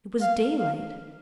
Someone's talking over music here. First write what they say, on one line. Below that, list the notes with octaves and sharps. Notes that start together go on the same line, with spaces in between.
It was daylight.
F5
F5